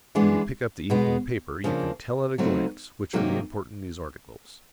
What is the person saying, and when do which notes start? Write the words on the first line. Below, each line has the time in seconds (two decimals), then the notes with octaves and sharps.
When you pick up the evening paper you can tell at a glance which are the important news articles.
0.15 E3 G#3 B3 D4
0.90 B2 G#3 B3
1.64 C#3 F3 A#3 D4
2.38 C#3 F#3 A3 C4 D#4
3.13 C3 D#3 F#3 A#3 D#4